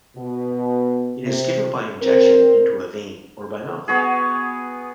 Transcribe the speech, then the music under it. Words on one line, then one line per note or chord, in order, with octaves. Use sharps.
It is given by injection into a vein or by mouth.
B2
C3
C4 A#4 C5
B3 F#4 G#4